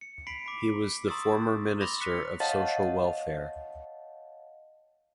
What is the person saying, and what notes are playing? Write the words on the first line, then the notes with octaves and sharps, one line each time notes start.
He was the former Minister of Social Welfare.
C#7
B5 B6 C7 D7 F#7
B5 D6
A#5 C6 C#6 D#6 E6 A6
B5 C6 D6 A#6 F7 G7
F#6 B6 C#7
C#5 D#5 F5 F#5 A5 A6